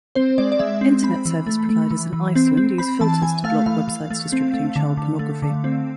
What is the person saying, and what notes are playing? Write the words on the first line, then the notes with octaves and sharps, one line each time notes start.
Internet service providers in Iceland use filters to block Web sites distributing child pornography.
C4 C5
G#3 D5
D5
G#3 E5
C4
C4 B5
E3
A3
A3
E3
E3
C4
C4
C4 B5
E3 A5
E3 G#5
A3 F5
E3 F5
E3
A3
C4
A3
D3
D3
A3
D3
C4